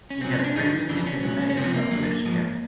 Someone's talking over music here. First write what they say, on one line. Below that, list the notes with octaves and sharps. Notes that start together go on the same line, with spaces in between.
He had previously been Mayor of Bishkek.
C#4
C2 A#2 F#3 C4
C#4
D4
G#2 D#3 F#3 D#4
F2 C#3 E3 D4
C#4
C#2 B2 F#3
C#4
C#2 C3 F3 C4
A#3
F#2 D3 F#3
G#2 F3